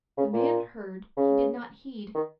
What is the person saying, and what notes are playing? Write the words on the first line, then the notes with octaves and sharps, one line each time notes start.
If the man heard, he did not heed.
C#3
A#2
C#3
D#3